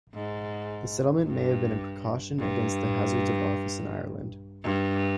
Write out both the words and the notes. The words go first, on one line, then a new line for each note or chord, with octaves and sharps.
The settlement may have been a precaution against the hazards of office in Ireland.
G#2
G2
G2
G2